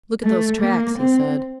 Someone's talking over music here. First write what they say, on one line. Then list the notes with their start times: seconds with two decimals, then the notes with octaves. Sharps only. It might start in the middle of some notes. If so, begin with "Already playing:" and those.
"Look at those tracks," he said.
0.24 A3
0.62 A#3
0.98 C4